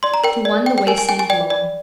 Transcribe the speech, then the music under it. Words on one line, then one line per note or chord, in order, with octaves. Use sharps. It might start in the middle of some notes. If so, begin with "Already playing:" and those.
To one the way seemed long.
D5 C6
A#5
A#4 G5
D5
G5
G5
A#4 G#5
G#5
G5 G#5
G#5
D5 G5
D5